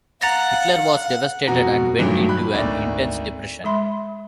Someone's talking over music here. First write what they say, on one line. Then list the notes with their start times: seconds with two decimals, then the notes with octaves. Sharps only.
Hitler was devastated and went into an intense depression.
0.21 F5 F#5 A#5 A6 A#6
1.47 F2 B2 F#4 A#5
1.99 G2 A#2 D#3 F#3 A3
2.29 B5 F#6
2.53 G#1 D2 D5
3.64 G#3 E5 B5 C6